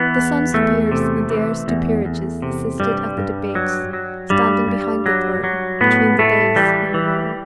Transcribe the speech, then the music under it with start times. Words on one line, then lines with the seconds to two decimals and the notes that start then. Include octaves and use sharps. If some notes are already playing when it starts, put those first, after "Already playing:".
The sons of peers and the heirs to peerages assisted at the debates, standing behind the throne, between the dais and the wall.
Already playing: E3 B3
0.16 E2
0.54 E2 A3
0.92 C3
1.30 E3
1.68 E2
2.05 E2
2.42 C3
2.80 G2 G3
3.18 G2
3.55 F#3
3.93 F#3
4.30 G2 G3
4.68 G2
5.06 F#3
5.44 F#3
5.81 A2 B3
6.19 A2 A3
6.56 E3 G3
6.94 E3